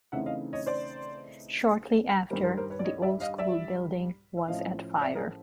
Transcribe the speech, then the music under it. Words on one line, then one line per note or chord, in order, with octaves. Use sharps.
Shortly after, the old school building was at fire.
C#3 E3 A3 C4 D#4 E5 F#5
D#5 F5
C#5 D#5
C5 D5
G2 D#3 G3 A#4 C5
A#4 C5
A#4 C5
B4 C#5
D5
C#5 D#5
D5 E5
D#5 F5
D5 E5
E5
A2 F3 A3 C#4 D#5 F5
D5 E5
G#4 A#4